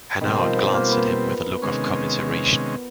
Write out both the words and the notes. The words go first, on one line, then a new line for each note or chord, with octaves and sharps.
Hanaud glanced at him with a look of commiseration.
B2 D#3 G3 C4
F3
B3
A#3
B3
C3 D#3 G#3 C#4